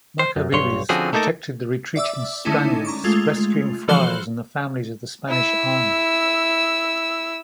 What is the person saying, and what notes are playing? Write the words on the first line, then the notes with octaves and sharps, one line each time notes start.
Macabebes protected the retreating Spaniards, rescuing friars and the families of the Spanish Army.
C5
F#2
B1 G2 C#5 C6
D3 F3 C4 C#4 F#4 G#4
A3 A#3 D#4 F#4 A4 A#4
D5 E5 D6 E6
D3 G#3 A3 C#4 D#4 E4
A#5 C#6 D6
G#3 A3 F4
E3 F3 F#4 A4 C5 F#6
E4 E6